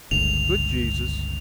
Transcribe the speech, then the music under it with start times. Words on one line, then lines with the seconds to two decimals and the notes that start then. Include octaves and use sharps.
Good Jesus!...
0.11 G1 C#2 F7